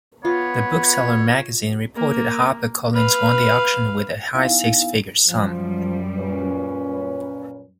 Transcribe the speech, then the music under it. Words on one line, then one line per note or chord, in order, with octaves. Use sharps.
"The Bookseller" magazine reported HarperCollins won the auction with a high six-figure sum.
B3 F4 C#5
A#3
B4 F5
B3 D#4 E4 F5 G#5
F#2 F3 G3
A#2 C#4 B4